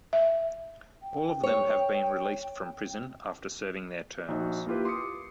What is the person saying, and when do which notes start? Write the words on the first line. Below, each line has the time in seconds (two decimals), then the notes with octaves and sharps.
All of them have been released from prison after serving their terms.
0.13 E5
1.02 G5
1.43 C#5
4.28 A#1 D#4 F#4
4.67 A#3 E4 F4 G4 B4
4.85 C6 D6 D#6 C#7